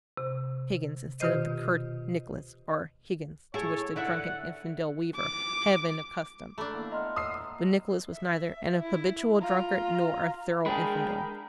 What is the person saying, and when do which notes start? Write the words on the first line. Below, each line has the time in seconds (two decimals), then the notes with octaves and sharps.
Higgins,' instead of the curt 'Nicholas' or 'Higgins,' to which the 'drunken infidel weaver' had been accustomed. But Nicholas was neither an habitual drunkard nor a thorough infidel.
0.17 C3
1.20 B2 D#3 F4 G4 C5 D#5
3.54 E4 G#4 A4 C#5
3.96 D3 E4 E5 F#5
5.16 D6
6.58 A3 D4 A#5 B5 E6
6.73 A#3 B3 E4
6.92 D#5 F#5 A5 A#5 C6 F6
7.16 D#6 E6 C7
8.13 E5
8.82 E4
9.41 F4 A#5
10.66 G#3 D4 G#4 A#4 G5 B5